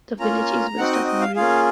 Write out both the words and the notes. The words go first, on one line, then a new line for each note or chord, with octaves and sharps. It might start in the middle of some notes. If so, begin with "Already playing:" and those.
The village is west of Muri.
A#3 C#4 F4 A#5
C4 D#4 F#4 F#5
D#5
D#5
F5
A#3 C#4 F4 G#4 F5